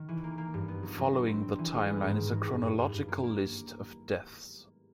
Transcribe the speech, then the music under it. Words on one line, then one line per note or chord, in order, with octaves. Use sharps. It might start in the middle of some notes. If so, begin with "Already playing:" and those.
Following the timeline is a chronological list of deaths.
Already playing: D#3
E3
A#3
A#3
G2
B3
F#3
F#3
D4
C4
C4
E3
G#3
B3
G#2
D#3
F#3
G2
G2
G2
G2
A#3
A#3